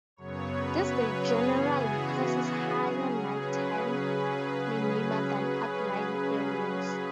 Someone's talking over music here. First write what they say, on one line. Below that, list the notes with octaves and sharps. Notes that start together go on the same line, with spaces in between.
This generally causes higher night-time minima than outlying areas.
F#2 C#3 F#3 B3 C#5
B4
G#4
C#3 E3 B3
F#4
G#4
C#3 F#3 C#4
B4